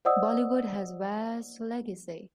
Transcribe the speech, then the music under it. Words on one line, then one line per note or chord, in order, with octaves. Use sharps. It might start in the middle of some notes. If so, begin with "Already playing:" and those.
Bollywood has vast legacy.
C5 D5 D#5 F#5 D#6 E6